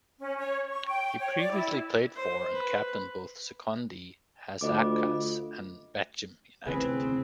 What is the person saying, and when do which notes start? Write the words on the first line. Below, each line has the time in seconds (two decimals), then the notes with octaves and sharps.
He previously played for and captained both Sekondi Hasaacas and Bechem United.
0.19 C#4
0.38 C#5
0.69 C#6
0.86 G5
1.19 C#5
1.38 D5
1.52 E4
2.15 C5
2.53 B4
4.61 D2 F4 D#5 D6
6.66 D2 C3 E3 C4 G#4 B4